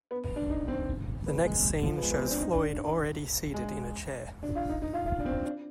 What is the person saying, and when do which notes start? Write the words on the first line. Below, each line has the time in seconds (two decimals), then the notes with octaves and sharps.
The next scene shows Floyd already seated in a chair.
0.11 B3
0.24 B3
0.36 D4
0.50 D#4
0.68 C4
1.26 B3
1.45 G#3
1.83 F3
1.97 B3
2.02 G#3
2.11 B3
2.21 C4
2.31 D4
2.40 D#4
2.52 D4
3.54 G#3
4.43 D4
4.55 F4
4.69 D#4
4.82 D#4
4.93 F4
5.06 F4
5.20 D4
5.26 C4
5.45 D4